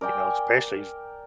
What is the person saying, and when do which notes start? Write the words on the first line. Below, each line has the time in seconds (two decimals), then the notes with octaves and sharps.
You know, especially s
0.01 A#4 D5 G5 G#5